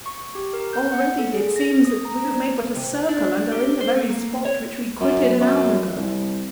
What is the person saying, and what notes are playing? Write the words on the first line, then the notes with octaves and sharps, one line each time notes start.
Already it seems that we have made but a circle, and are in the very spot which we quitted an hour ago.'
C#6
G4
A#4
G6
F#5
A4
G#4
A#6
D#6
A#5
D4
C3
D4
G4
C5
A3
A#3
C#5
F#2
F#2
C2